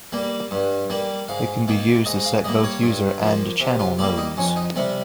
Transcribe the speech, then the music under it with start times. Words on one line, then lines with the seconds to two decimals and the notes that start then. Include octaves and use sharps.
It can be used to set both user and channel modes.
0.12 G3 A#3
0.51 G2
0.90 G3 A#3
1.28 G#2 F5
1.68 D#3 A#3
2.06 G#2 D#5
2.25 F5
2.44 G3 A#3 D#5
2.64 C#5
2.83 G2
3.21 F3 A#3
3.60 C3
3.79 F4
3.99 G3 G4
4.03 A#3
4.18 D#4
4.37 F2 C#4
4.56 D#4
4.76 C3 G3 C4